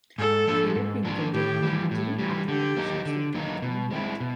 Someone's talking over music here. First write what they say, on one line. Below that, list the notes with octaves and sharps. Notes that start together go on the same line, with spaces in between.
Philip invaded Normandy after the bishops returned to England.
G#2 A4
F3 A#3 D4
G#2
F3 A#3 D4
A2 G4
E3 G3
A2
E3 G3
D3 G4
F#3 A#3 D#4
D3
F#3 A#3 D#4
B2
G#3 C4 E4
B2